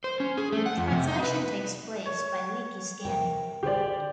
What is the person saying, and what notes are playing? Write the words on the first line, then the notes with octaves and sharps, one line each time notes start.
Translation takes place by leaky scanning.
C5
C#4
G#4
A3
F#5
F2
C3
D#4
B4
C#5
C3 A#4 G5
D3 G4 G#4 C5 D5